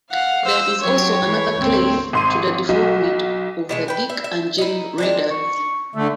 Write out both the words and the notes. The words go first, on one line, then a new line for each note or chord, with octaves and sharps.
There is also another claim to the development of the Dick and Jane readers.
F5 F#5
C5 E6
F#3 G4 C#5
E3
D2 G#2 C4
G#1 C6 D#7
B1 F#4
B2 G#3 A3
B4 G5
E5
E5
D#4 E4
G#3 C4 D4
C#6
D3 A3 E5